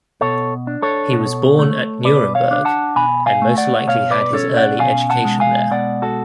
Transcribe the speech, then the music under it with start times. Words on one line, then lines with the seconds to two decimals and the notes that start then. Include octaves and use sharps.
He was born at Nuremberg, and most likely had his early education there.
0.21 B2 A4 C#5
0.67 D4
0.82 A4 C#5
1.13 B2
1.59 A3
2.04 B2 B4 D5
2.35 C#5 F5
2.51 D4
2.65 F#5 A5
2.96 B2 G#5 B5
3.26 F5 G#5
3.42 A3
3.58 D5 F#5
3.87 B2 C#5 F5
4.10 B4 D5
4.33 C#4 A4 C#5
4.57 D5 F#5
4.79 B2 F5 G#5
5.10 F#5 A5
5.25 G#3
5.40 F5 G#5
5.71 B2 D5 F#5
6.02 F#4 A4